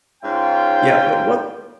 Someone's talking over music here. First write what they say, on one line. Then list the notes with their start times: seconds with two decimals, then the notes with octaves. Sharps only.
Yeah. But what
0.23 G#2 C#4 F4 G5